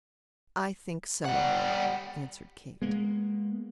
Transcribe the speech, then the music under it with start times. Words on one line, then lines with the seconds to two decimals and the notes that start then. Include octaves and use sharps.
"I think so," answered Kate.
1.25 G3 F#5
2.82 G#3 A#3 B3